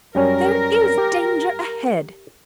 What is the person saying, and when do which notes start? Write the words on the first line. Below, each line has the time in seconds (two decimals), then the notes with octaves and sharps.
There is danger ahead.
0.15 F#2 G3 C#4 A#4
0.98 G4